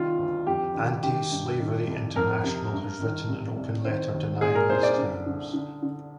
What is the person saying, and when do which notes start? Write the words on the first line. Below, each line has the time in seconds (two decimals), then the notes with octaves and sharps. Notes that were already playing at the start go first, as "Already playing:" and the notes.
Anti-Slavery International has written an open letter denying these claims.
Already playing: C2 D#3 F4
0.19 D2
0.47 F2 G4
0.74 D#3
1.03 D#3 G4
1.31 G2
1.59 D#3
1.87 C2
2.16 F2 A#4
2.44 C3
2.73 G2
3.00 D#3
3.29 C3
3.56 C2
3.84 D#3 C5
4.13 D#2
4.41 A#2 G#4
4.55 A#4
4.69 C2 C5
4.83 D5
4.98 D3
5.26 D3
5.54 D3
5.82 D3